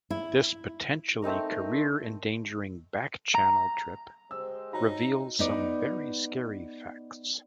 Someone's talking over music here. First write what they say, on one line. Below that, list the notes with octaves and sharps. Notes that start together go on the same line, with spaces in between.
This potentially career-endangering "back channel" trip reveals some very scary facts.
E4
A3 C4 D#4 A#4
A#5
G#3 G4 C5 E6
D#4 F#4 C#5 A#5
B3 D#4 D5